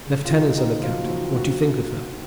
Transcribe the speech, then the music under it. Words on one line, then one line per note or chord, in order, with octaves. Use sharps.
"Leftenant," said the captain, "what do you think of her?"
C#3
C#3 F4
D#3 D#4
F#3
D#3 D#4
C#3
F3 F#3 F4
A#3 F#4
F3 F4
F#3
F#3 F#4
A#3